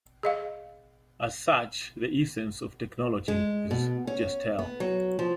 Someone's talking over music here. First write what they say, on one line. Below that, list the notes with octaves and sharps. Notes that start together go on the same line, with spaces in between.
As such, the essence of technology is "Gestell".
G#4 D#5 F5
G#3
B2
C#4
B3
F#3
F3